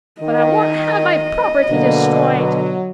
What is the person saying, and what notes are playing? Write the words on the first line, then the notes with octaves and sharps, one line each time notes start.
"But I won't have my property destroyed."
D#3 D#5
B2 D3 F#3 A#3
F#3